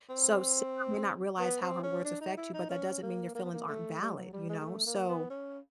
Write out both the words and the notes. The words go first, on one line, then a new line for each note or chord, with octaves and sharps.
So, Sarah may not realize how her words affect you, but that doesn't mean your feelings aren't valid, you know? So,
C4
B3
C4
C#4
D4
D#4
E4
D#4
C#4
A#3
A#3
B3
A#3
A3
G3
F#3
G3
G#3
G#3
A3
A#3
B3
C#4